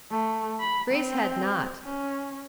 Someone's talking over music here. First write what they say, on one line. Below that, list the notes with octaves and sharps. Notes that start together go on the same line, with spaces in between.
Grace had not.
A3
B5
C4
C#4